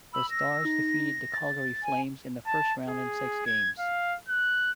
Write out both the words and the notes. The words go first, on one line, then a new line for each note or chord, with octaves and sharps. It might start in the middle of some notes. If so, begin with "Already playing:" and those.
The Stars defeated the Calgary Flames in the first round in six games.
B5 E6
A#6
D#4
A6
G#5
A5
G#4
G#6
F5
F#6